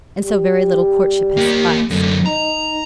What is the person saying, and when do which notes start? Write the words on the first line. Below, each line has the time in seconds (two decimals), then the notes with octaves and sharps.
And so very little courtship has sufficed.
0.21 G3
1.37 A#3 G4
1.91 F#2 D3 A3
2.26 D#4 A#5